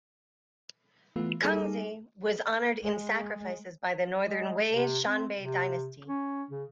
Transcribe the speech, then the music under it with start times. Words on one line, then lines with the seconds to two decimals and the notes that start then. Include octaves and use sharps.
Kongzi was honored in sacrifices by the Northern Wei Xianbei dynasty.
1.16 E3 A3 B3 F4
1.42 G3 A#3 D#4 G#4 A4
2.81 G#3
4.20 G#3
4.73 C3
5.05 C4
5.37 C3
6.07 C#4
6.51 C#3